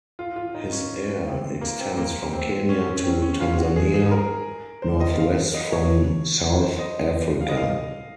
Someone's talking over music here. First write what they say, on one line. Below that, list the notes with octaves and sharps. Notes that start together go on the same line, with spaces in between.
His air extends from Kenya to Tanzania, northwest from South-Africa.
F4
F4
D#4
C#4
C4
A#3
C4
A#3
C4
C#4
C#4
C4
C#4
F4
F#4
G#4
G#4
A#4
C5
D#5
F5
D#5
C#5
C5
D#5
F5
D#5
F5